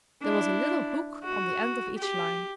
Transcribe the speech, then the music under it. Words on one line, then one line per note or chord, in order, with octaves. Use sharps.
There was a little hook on the end of each line.
D4 E4
F#4
G4